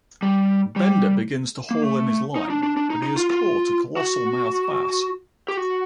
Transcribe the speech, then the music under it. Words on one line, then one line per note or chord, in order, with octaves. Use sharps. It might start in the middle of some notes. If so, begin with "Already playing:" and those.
Bender begins to haul in his line, but he has caught a colossal-mouth bass.
G3
G3
A#3
A3
D#4
D4
D4
D4
D#4
D#4
F4
F4
F#4
G4
F#4